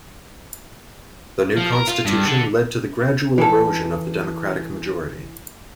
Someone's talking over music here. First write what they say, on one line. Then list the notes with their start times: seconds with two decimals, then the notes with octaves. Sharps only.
The new constitution led to the gradual erosion of the Democratic majority.
1.57 F3
1.72 A#4
1.87 F4
2.05 G2
2.26 D3
3.38 E3 A4